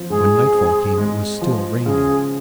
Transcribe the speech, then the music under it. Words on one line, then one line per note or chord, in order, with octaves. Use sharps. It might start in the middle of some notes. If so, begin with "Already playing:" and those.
When nightfall came it was still raining.
Already playing: F3 C4
G#2 G#4
C4
G#3
F3
C#3 G#4